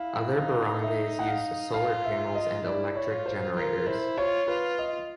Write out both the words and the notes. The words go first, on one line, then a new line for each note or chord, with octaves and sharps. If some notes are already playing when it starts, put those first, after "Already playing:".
Other barangays use solar panels and electric generators.
Already playing: E4 F5
D#4 F5
E5
F#5
F5
F4 F5
E5
D#5
E4 D5
C#5
F4
C5
F4 A#4
E4 C5
F4 C#5
F4 B4
D#5